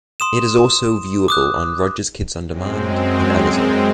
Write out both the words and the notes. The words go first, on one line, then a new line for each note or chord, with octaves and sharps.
It is also viewable on Rogers Kids On Demand and Amazon.
C6 D#6 E7
D6 D#6 F#6
F#2 G#3 C4